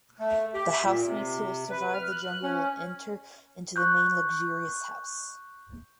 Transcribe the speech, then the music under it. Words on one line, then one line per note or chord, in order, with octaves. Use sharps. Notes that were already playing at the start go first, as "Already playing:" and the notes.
The housemates who will survive the jungle will enter into the main luxurious house.
A3
G4
E5
A#2
C3
B4
F6
F#6
C#4
C#6 F#6 G6